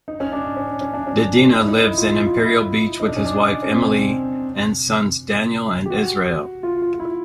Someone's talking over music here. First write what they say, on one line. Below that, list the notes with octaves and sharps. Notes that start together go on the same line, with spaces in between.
Dedina lives in Imperial Beach with his wife Emily and sons Daniel and Israel.
D#4
C#4
D4
C#4
C#4
D4
C#4
D#4
E4
D#4
E4
F4
E4
F4
F4
E4
E4
D#4
D4
C#4
D4
C#4
C4
G4
F#4
F4
F4
F4
E4